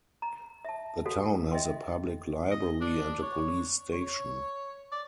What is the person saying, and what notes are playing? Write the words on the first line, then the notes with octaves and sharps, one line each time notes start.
The town has a public library and a police station.
A#5
E5 A5
F#4 A4 F5 F#5
D#5 E5 G5 C6
D#5
D4
C#5
C#5
D5